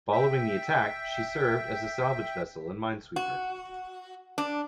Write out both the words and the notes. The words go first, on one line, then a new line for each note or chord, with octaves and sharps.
Following the attack, she served as a salvage vessel and minesweeper.
E5 G5
F#4
D4